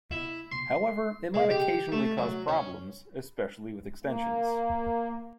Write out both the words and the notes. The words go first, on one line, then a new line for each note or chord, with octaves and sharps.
However, it might occasionally cause problems, especially with extensions.
E4
C6
G#3
G4
A3
F#3
C#4
A#3